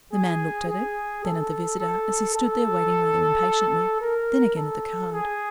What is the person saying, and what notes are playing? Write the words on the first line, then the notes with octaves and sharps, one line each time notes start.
The man looked at it, then at the visitor, as he stood there waiting rather impatiently, then again at the card.
G#4
G#4
A4
A4
A4
A#4
A4
G#4